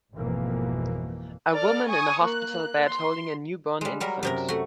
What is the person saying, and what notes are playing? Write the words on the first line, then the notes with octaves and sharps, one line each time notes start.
A woman in a hospital bed holding a newborn infant.
G#1 F2 B2 E3 A#3
A4 D5 F6
G#5 C#6 D#6
A#3 F#6
C6
G3 G#3
F#3 G3 A#4
F#2 C3 A#4
A3 F#4